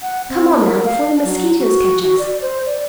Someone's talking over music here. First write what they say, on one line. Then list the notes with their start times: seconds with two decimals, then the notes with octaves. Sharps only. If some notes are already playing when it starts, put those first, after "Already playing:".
Come on, now, before the mosquitoes catch us!
0.02 F#5
0.29 C4
0.60 A#4
0.85 F5
1.24 F#3
1.58 F#4
2.02 F#4
2.19 D5
2.42 C5
2.66 D5